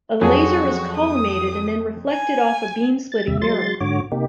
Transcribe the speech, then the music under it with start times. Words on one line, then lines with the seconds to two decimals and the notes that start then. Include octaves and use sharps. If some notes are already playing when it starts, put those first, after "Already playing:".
A laser is collimated and then reflected off of a beam-splitting mirror.
0.21 F2 F#3 F4 F#4 G#4 A5
0.97 D#6
2.11 G#5
3.12 A6
3.27 D#2 C3 E5
3.42 F#3 G#3 C6 A6
3.81 G#2 D3 F#4 C#5 D6
4.12 C3 A#3 D#4 G4